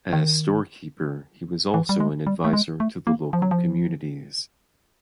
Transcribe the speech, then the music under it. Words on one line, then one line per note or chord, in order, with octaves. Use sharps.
As storekeeper he was also an advisor to the local communities.
D#3
E3
G3
G#3
G3
A3
G#3
A3
A#3
F3
F#3
F3